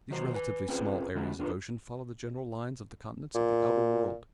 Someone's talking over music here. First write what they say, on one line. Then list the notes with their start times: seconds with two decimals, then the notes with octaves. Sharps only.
These relatively small areas of ocean follow the general lines of the continents of the outer world.
0.10 D2 D#3 F#3 F#4 C5
0.34 B4 G#5
0.69 C4 C#4 F4 G#4 B4 C5
1.15 D3 G3 G#3 C#4 E4 F#4
1.39 B3 D4 F4 G4 A#4 B4
3.35 A#2